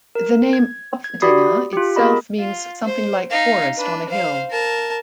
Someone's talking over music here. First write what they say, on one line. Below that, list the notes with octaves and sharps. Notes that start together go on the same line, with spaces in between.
The name "Uppvidinge" itself means something like forest on a hill.
A#4
G#6
G#6
F#4 G4 D5 B5 D#6 C7
F4 G4
B3 G#4 A#4 D#5 B5
F4
C5
D#4 F5
D4 B4
C5 F5
A#4 A5